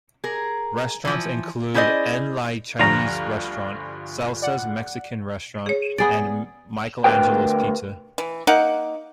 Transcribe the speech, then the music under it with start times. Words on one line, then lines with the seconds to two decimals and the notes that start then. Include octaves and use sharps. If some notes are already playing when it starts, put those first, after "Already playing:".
Restaurants include En Lai Chinese restaurant, Salsa's Mexican restaurant, and Michael Angelo's Pizza.
0.24 G#4 A#4
1.05 E3 F3
1.74 C#4 E4 G#4 C5 D5 D#5
2.79 D2 G2 F3 F4 D5 A#5 B5 C#6
4.42 D5 F#5
5.66 G#4 C#5
5.98 B3 G#4 D5 A6
7.04 D2 C3 A#4 B4 G5
8.18 E3
8.47 A#3 D#4 A#4 F#5